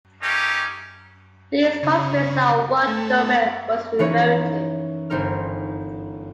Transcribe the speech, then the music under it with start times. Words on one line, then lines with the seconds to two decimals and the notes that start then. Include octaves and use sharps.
These constraints are what Dummett was referring to.
0.22 A3 A#3 C#4 D#4 G4
1.83 C#3
2.87 A3
3.99 E3 A#3 C#4 D#4 B4 C#5
5.10 G1 C4 D#4 A#4 F6